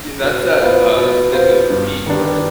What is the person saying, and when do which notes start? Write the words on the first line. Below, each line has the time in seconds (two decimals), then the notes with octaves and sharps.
Yeah, that's that, uh, stick of meat, right?
0.23 B2
0.60 B3 F4 C5
0.97 B2
1.33 B3 F4 C5
1.70 G2
2.07 D#3 B3 D4 G4